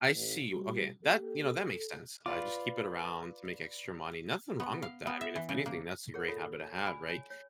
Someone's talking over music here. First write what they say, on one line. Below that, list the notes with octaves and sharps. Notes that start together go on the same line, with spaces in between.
I see, you Okay. That You know, that makes sense, uh, just keep it around to make extra money. Nothing wrong with that, I mean, if anything, that's a great habit to have, right?
A1
G3 F#4
A#3 G4 A4
A4
F4 B4 D5 D6
B3
F5
B3
E5
E3
C#3
A#3
G#4 A#4 C#5 F#5
F4 A4 C#5 E5
C#5
D5 G#5 B5
C#5 G#5
C#5